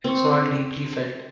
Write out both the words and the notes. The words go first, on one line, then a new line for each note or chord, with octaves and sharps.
It's all deeply felt.
C4 C#6